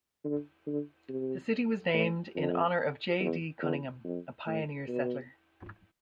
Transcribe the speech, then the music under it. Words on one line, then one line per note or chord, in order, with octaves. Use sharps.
The city was named in honor of J. D. Cunningham, a pioneer settler.
D3
D3
C3
A2
F2
E2
E2
F2
A2
B2